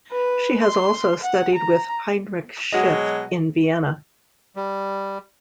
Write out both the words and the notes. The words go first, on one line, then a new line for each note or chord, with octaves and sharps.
She has also studied with Heinrich Schiff in Vienna.
B4
C6
F#5
A#5
B2 F#3 G#3 F#4 D#5
G3